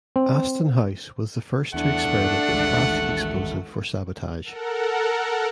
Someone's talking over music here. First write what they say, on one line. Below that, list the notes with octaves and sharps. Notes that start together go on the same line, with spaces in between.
Aston House was the first to experiment with plastic explosive for sabotage.
C4
E2 A3 D4 F#5
A1 D#2 G#3
A4 A#4 F#5